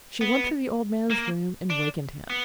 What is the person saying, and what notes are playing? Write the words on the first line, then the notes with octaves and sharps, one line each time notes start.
She went to the old man's room and wakened him.
B3
A#3
D4
B3